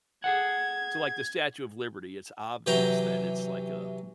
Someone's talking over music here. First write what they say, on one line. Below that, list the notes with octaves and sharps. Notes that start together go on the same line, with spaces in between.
So, like, the Statue of Liberty, it's obvious that it's like a,
G#4 A4 F#5 G#6
C3 E3 F#3 G4 G5 A#5